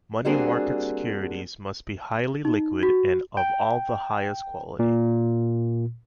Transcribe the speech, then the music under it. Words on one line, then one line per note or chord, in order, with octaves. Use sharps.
Money market securities must be highly liquid and of the highest quality.
G3 A#3 C4 D4 F#4 G#4
D#4
F#4
G5
A#2